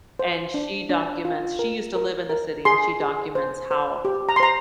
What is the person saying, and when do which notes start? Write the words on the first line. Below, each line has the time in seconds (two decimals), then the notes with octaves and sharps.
and she documents she used to live in the city and she documents how,
0.19 C5
0.54 D4
0.89 D4
1.25 F4
1.59 A#4
1.95 A#4
2.29 A#4
2.65 G#4 C6
3.00 G#4
3.35 C5
3.71 C5
4.05 G4
4.29 A#5
4.36 C6
4.40 C5 A#5